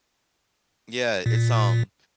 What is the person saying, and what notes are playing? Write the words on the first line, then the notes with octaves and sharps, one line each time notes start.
Yeah, it's, um,
A#2